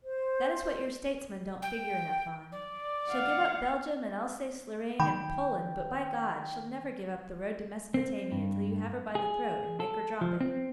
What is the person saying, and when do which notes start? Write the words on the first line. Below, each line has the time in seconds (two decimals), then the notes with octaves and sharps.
That is what your statesmen don't figure enough on. She'll give up Belgium and Alsace-Lorraine and Poland, but by God! she'll never give up the road to Mesopotamia till you have her by the throat and make her drop it.
0.04 C5
1.62 G5
2.52 D5
3.09 F5 F#5
5.00 D#3 G5 B5
7.94 C4
8.32 G2
9.15 G#4
9.80 A4
10.21 F3
10.41 C4